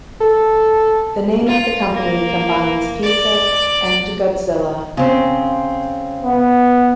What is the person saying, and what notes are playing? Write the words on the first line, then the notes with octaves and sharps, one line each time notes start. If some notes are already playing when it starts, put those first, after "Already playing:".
The name of the company combines "pizza" and "Godzilla".
A4
F4
A#3
D5
C#3 C4
B3